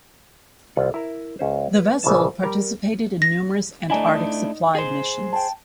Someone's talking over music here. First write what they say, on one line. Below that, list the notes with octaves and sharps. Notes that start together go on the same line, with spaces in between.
The vessel participated in numerous Antarctic supply missions.
C2 F4 F#5
E4 A#4
C#2 C#4 C5
B4
A#1 C#3 E3 A5
G3 G4 A#4
A#6
A3 D4 E4 D#5 G#5 A#5
D#4
G#4 C5
G5 A5